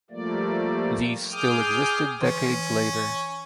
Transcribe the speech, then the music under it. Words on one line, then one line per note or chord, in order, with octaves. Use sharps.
These still existed decades later.
F3 G3 A3 A#3 D5
G#4 G5 D6 D#6 F6 G6
E3 C#4